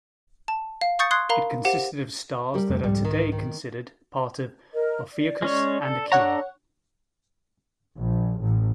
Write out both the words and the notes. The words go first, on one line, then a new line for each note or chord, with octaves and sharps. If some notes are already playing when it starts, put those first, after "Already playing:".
It consisted of stars that are today considered part of Ophiuchus and Aquila.
A5
F5
F5 C#6 D#6 G6 A6 C#7
C6 D#6 F#6 G#6 C7
A#4 F5 A#5 B5
G4 C5 F5 F#5
G3 G4 A#4
F2 A3
C2 F2 G#2 G3
D#3
D#3
A#4 D#5
D5
G#3 C#4 C#5
A4
D4 A4 C#5 F#5 A#5
A#1
A1